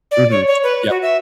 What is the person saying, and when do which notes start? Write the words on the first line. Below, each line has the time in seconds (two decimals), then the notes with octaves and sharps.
Mhm, yep.
0.11 D5
0.31 C#5
0.47 C#5
0.63 B4
0.90 F#4
1.02 E5